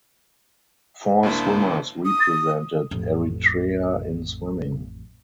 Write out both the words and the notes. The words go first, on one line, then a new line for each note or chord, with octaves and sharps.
Four swimmers represented Eritrea in swimming.
C#2 G2 A#3 D4 E4 C5
D#6
A1 F2